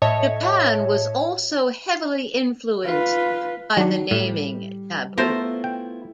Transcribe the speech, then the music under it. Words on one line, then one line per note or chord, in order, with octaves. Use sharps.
Japan was also heavily influenced by the naming taboo.
A2 C#5 D#5 E5 A5
F4 B4
D#3 F#3 D4
A2 G3
A3 B3 E4 F4 A#4 C5
G5